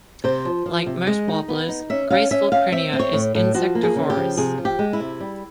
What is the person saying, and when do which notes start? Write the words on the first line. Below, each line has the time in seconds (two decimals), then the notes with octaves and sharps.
Like most warblers, graceful prinia is insectivorous.
0.24 C3 C5
0.45 F3
0.66 F3
0.86 C3
1.07 G#3 D#5
1.28 D#4
1.48 B3
1.68 D#4
1.90 C#4 E5
2.10 C#4 F5
2.31 C#4 E5
2.52 C#4 F5
2.72 C4 E5
2.93 C4
3.00 C#5
3.13 A2
3.35 A2
3.55 F3 F#4
3.75 A#3
3.83 G#4
3.96 C#3
4.10 G4
4.17 F3
4.37 C3 G#4
4.58 F3
4.65 G4
4.79 G#3
4.93 E4
5.00 C3
5.20 G3